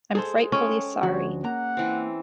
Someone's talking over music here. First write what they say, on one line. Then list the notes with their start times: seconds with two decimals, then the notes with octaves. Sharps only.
I'm frightfully sorry.
0.15 G#3 G#4 A4 C5
0.52 G#3 C#4 G5
1.03 D2 F3 F#4 C#5
1.44 A#3 F#5 A#5
1.77 E3 C4